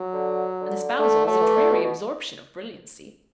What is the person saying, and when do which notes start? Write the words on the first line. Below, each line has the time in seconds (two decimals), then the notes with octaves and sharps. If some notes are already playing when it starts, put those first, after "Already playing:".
An espousal is a dreary absorption of brilliancy.
Already playing: F#3
0.13 D3
0.61 D3
0.99 A3
1.27 F#3 A3
1.42 E3
1.56 D3
1.70 B2
1.84 B2